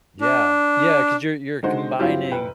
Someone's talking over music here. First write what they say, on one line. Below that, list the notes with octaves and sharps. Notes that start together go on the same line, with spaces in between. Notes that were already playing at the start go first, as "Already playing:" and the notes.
Yeah, yeah, 'cause you're you're combining,
D4
D3 G#3 D#4 F#4 C5
G2 F#3 C4 E4 F4 G4
F1 B4 G5